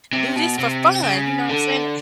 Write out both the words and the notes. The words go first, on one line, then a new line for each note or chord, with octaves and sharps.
do this for fun, you know what I'm saying?
C3
B2
C3
C#3
D3